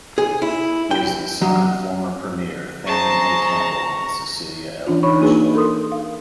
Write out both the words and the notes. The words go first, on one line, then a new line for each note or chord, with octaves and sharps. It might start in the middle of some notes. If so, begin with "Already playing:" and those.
He is the son of former premier Thane A. Campbell and Cecilia L. Bradshaw.
G#4
E4
G5
F#3
G#4 C5 A5 A#5 C#6
E3 C#4 D4 F4
D#4 C#5 B5 C#6
A#3 D4 D#4 F#4 G#4 B4
A4 A#4 C6 D#6
F5